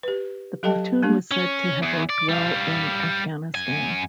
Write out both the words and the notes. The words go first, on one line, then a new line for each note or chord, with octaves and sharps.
'The platoon was said to have worked well in Afghanistan.
G4 B4
F#3 G4 A4 D#5 G5 A5
G3 A#3 D4 G4
C#4
E2
D5
G3 F5
F#2 G#5